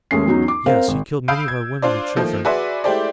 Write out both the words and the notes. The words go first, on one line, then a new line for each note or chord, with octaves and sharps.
Yes, he killed many of our women and children.
D#2 G#3 A3 C#4 C7
E2 F#3 C#4 D#4
D6
C4 A#4 C5 F5
G#1
F5 B5 D#6 E6 G6 D7
G#6
D4 F4 C5 D5
D#3 F3 A3 A#3
F#4 G#4 B4 D5 E5 C6
G#3 A3 E4 G4 C5 D5